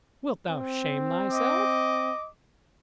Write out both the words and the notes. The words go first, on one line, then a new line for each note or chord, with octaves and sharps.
Wilt thou shame thyself?
C4
D#5 D6